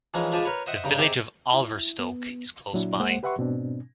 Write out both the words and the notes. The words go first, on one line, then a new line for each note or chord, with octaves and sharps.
The village of Alverstoke is close by.
E3 F3 G#3 C#4 D#4
F3 G#3 G4 G#5 A5 B5
A#4 B4 C#5 B5
C5 D#5 E5 F#5
G2 C#3 D#4 G5
C4 D#4 G4 G#4 E5 G5
E4
B3
A#2 F#3 D4 E4
C2 G#3 A#3 C5 F#5
G4 B4 E5 F#5 C6 C#6
G#2 B2 C4 D4